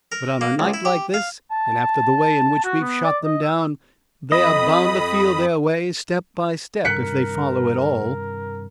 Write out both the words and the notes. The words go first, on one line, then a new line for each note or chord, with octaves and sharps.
But on a night like this, and after the way in which we have shot them down, they are bound to feel their way step by step if they follow at all.
A#4
A#3
C#2
E4
G4
F5
A5
F#4
B3
D5
D#5
E6
F2 D#5 B5 D#6
G2 C3 D#3 A#4 F#6 B6 C#7